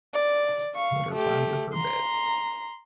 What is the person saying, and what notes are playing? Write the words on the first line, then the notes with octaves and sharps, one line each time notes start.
Let her flounder for a bit.
D5
F5 C#6
A3 G4
A#5 C6